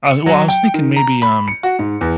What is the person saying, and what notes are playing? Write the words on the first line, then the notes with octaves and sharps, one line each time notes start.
I well, I was thinking maybe, um,
C#7
F#3
G5
D#3
A#5
B5
C#7
F#4
G#2
E2